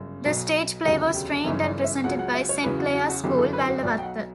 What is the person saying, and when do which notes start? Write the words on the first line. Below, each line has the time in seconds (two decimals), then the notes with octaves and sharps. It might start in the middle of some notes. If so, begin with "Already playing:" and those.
The stage play was trained and presented by Saint Clare's School, Wellawatte.
Already playing: G1 F#2 C#3
0.25 B1 B2 F#3
0.85 E1 D2 C#3 F#3 G4
1.15 G4
1.44 G1 F#2 C#3 E3 E4
1.64 D5
1.84 E5
2.04 C#2 C#3 F#3 F#5
2.19 F#5
2.34 E5
2.49 C#5
2.64 E2 C#3 F#3 B4
2.79 F#4
2.94 F#4
3.09 F#4
3.23 F#1 E2 D3 F#3 G4
3.38 A4
3.53 B4
3.68 F#4
3.83 B1 B2 F#3 D5
3.98 G5
4.03 F#5